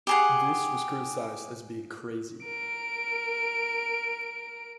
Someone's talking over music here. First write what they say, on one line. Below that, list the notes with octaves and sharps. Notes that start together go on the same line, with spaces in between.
This was criticised as being "crazy".
G4 G#4 F#5
A#4 D7